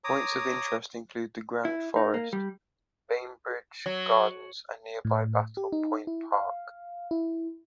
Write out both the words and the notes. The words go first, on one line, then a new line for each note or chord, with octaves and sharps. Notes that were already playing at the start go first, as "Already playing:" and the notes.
Points of interest include the Grand Forest, Bainbridge Gardens, and nearby Battle Point Park.
C#5 A#5 D6 D#6
E4
D#4
A#3
G3
F#3
A2
G4
D#4
E4
F5
E4